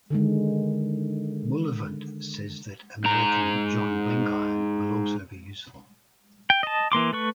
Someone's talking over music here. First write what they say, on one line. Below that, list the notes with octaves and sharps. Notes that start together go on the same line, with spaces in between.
Bullivant says that American John Blenkiron will also be useful.
D3 D#3 G#3
G#2 A#5
G5
D#5 A5
E3 A#3 C6 D6
A3 B4 C#6